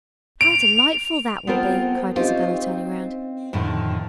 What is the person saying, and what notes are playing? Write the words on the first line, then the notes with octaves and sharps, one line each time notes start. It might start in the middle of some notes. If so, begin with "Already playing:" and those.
"How delightful that will be!" cried Isabella, turning round.
D7 F7
B3 C4 F4 A4 A#4 C5
C4 C#4 D#4 F4 G4 C5
F2 A2 D3 D#3